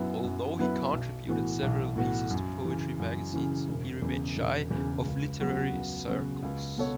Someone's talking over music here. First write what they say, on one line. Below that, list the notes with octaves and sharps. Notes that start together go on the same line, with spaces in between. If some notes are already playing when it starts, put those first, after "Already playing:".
Although he contributed several pieces to poetry magazines, he remained shy of literary circles.
Already playing: F#2 F#3 B3 E4 B4
F#2
F#3 B3 E4 B4
B1
A2 E3 B3 F#4
B1
A2 E3 B3 F#4
F#2
E3
C#3
F#2
C#3 E3
E1
E2 C#3
E1
E2
C#3
C#2
C#3 F#3 B3 F#4
C#2
C#3 F#3 B3 F#4
C#2
B2 B3 A4 C#5